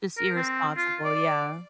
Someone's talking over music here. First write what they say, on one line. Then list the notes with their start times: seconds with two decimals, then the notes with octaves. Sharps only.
Just irresponsible, yeah.
0.17 A#4
0.36 C4
0.77 F4
1.05 D5